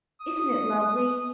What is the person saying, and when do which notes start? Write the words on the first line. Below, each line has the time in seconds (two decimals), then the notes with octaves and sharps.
Isn't it lovely?
0.21 D#6